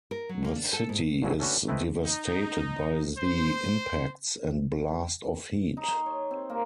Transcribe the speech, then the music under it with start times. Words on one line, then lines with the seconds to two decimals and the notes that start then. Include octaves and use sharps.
The city is devastated by the impacts and blast of heat.
0.11 A#4
0.29 F#3
0.45 A#3
0.56 D4
0.73 A4
0.89 G#2
1.22 C2 G2 C#3 F#3 E4
1.40 A3 C#4 D4 F#4 B4
1.68 A3 C4 E4 B4 D#5
2.04 D#4
3.17 C5
5.77 D#4
5.91 C6
6.06 C#5
6.31 C4
6.50 A#3